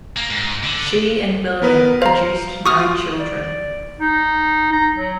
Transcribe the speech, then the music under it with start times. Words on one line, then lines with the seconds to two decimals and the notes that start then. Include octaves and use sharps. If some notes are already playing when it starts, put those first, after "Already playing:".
She and William produced no children.
0.16 A#3
0.30 G#2
0.64 D3
1.62 B3 A#4 B4
2.02 C5 F5 A#5
2.66 F#4 C#6 D#6 F6
2.79 F4
3.19 D5
3.99 D#4
4.73 A#5
4.98 F#3